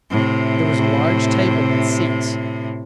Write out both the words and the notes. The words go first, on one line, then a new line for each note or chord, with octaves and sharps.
There was a large table and seats.
A2 C3